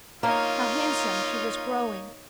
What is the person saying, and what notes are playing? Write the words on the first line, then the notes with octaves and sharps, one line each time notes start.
How handsome she was growing!
A#3 D#4 F4 C#5